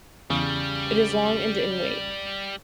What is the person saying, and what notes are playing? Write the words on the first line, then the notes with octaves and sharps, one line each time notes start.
It is long and in weight.
E2 C#3 G3